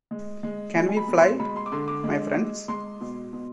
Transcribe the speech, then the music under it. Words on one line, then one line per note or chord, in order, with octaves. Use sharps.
Can we fly, my friends?
G#3
G#3
G#3 G#5
G#5
B5
B2
C6
G#3 B5
C6
D6
D3 C6
D6
G#3
G#3
G#3 C6
B2
B2